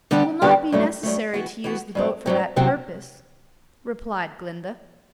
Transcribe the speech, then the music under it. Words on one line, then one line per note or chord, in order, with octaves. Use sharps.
"It will not be necessary to use the boat for that purpose," replied Glinda.
D3 G3 B3 D4 G4
D3 G3 B3 D4 G4
G2 F#3 A3
G2 F#3 A3
E3 B3 F#4
E3 B3 F#4
G2 F#3 C4
G2 F#3 C4
E2 C3 F#3 C4